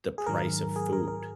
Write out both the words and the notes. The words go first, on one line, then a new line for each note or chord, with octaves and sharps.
the price of food.
G#4
G#2 D#3 F#3 A#4
G#4
A#4
A#4